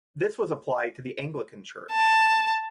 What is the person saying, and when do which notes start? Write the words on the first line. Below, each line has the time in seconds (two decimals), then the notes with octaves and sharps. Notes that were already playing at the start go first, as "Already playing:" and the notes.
This was applied to the Anglican Church.
1.93 A5